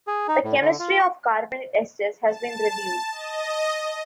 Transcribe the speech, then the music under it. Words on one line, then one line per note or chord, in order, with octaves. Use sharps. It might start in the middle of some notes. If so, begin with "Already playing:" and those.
The chemistry of carbonate esters has been reviewed.
G#4
D#4
A2
D3
F4
C#6
A5
D#5